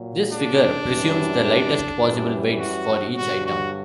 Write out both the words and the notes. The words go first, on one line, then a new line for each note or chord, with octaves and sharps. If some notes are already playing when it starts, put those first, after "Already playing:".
This figure presumes the lightest possible weights for each item.
Already playing: A#2 F#3
D4
F#2 E3 G3
F#2 E3 G3
F#4
G2 D3 F#3 F#4
F#4